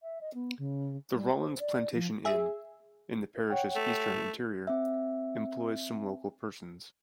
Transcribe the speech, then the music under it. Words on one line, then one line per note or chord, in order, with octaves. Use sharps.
The Rawlin's Plantation Inn, in the parish's eastern interior, employs some local persons.
E5
D#5
B3
C#3
G3
C5
D5
F3
G#4 E5
C#5 F#5 G5
A3
C4 E5